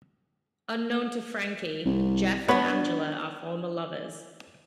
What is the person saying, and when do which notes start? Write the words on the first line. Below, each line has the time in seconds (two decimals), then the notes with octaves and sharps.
Unknown to Frankie, Jeff and Angela are former lovers.
1.85 C2
2.48 B3 D4 B4 C#5 B5